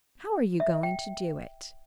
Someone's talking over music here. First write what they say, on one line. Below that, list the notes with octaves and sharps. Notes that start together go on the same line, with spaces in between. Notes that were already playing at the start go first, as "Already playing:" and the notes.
"How are you going to do it?"
E5
G5